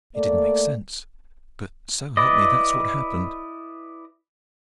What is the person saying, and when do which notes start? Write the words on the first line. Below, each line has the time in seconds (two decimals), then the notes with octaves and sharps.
It didn't make sense, but so help me, that's what happened.
0.16 A3 A#3 A4 D5
2.17 E4 B4 D5 D#5